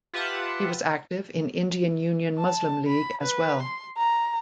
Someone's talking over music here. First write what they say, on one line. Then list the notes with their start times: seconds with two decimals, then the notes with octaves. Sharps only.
He was active in Indian Union Muslim League as well.
0.14 F4 G4 B4 E5 F#5 A5
2.39 A5
2.87 B5
3.22 B4
3.62 C6
3.97 A#5